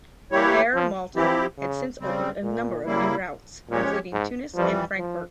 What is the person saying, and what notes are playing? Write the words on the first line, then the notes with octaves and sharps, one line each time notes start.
Air Malta had since opened a number of new routes, including Tunis and Frankfurt.
E3 G3 A#3 E4 G4 C#5
F3
E3 F3 C4 E4 G4
C#3
C#3 G3 C4
A#2
C#3 G3 A#3 E4
A#2 F3 G#3 C#4 G4 C#5
G#2
F2 E3 F3 G3
F3